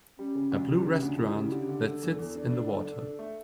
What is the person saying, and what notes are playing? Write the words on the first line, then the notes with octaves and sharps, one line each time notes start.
A blue restaurant that sits in the water.
G3 C#4
C#3
D2
G3
C#3 C#4
D2 D4
G3 E4
C#3 E4
D3 G4
D3
D3 A4
E2
E2 A4
D4
D4
D3
D4
D4
A3